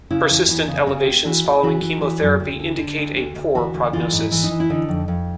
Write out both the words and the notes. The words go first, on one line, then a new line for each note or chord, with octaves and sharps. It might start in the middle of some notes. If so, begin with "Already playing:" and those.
Persistent elevations following chemotherapy indicate a poor prognosis.
C#3 E4
E2
E2 E4
C#3
C#3 F#4
D#2
E3 F#4
D#2
E3 F#4
E3
E3
F#2
D2
D3
D3
D2
D2 F#4
D2
E3 F#4
D2
E3 F4
G#2
E4
E3
D#4
E3
E4
D3 D#4
F2
F2